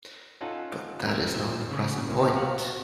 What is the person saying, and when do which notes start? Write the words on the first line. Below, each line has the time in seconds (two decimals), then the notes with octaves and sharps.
But that is not the present point.
0.41 C#4 D#4 F4 A4 F#5 A5
1.04 C4 A#4 E5
1.34 A#2 D#3 C5 E5
1.71 C#3
2.08 C#2 A#2 D#3 C#5
2.35 F#4 F5 F#5